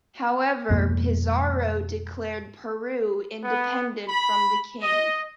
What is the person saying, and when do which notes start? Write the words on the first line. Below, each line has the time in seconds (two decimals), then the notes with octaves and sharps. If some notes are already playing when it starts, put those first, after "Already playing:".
However, Pizarro declared Peru independent from the King.
0.70 F2 G#2 B2 A#3
3.44 B3
4.09 B5
4.82 D#5